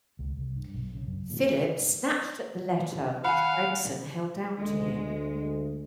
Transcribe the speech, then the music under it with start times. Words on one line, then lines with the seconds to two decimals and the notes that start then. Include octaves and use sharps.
Philip snatched at the letter which Gregson held out to him.
0.19 C#2
0.37 C2
0.56 G2
0.74 B1
0.95 C#3
1.07 F#2
3.24 F5 F#5 G#5 B5
4.58 D2 G#3